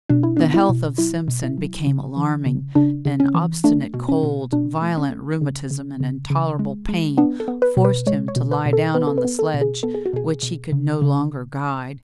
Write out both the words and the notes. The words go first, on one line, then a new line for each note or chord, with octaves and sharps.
The health of Simpson became alarming; an obstinate cold, violent rheumatism, and intolerable pain forced him to lie down on the sledge, which he could no longer guide.
B2 D4
E4
D4
B3
E4
B2
F#3 E4
B2
E4
F#3
C#3
E3
C#3
C#3 D4
C#3
C#4
E3
A3 D4
B2
C#4
B2
B2 D4
A3
C#4
A3
C#3
C#3
C#3
C#3
G#3
G#3
B3 D4
A4
B3
B4
B2
B4
G#3 C#5
C#5
B2
B4
B2
A4
B3 B4
A4
B4
B3
A4
B2
G#4
B3 A4
G#4
F#4
B2 G#4
B2
C#3
C#3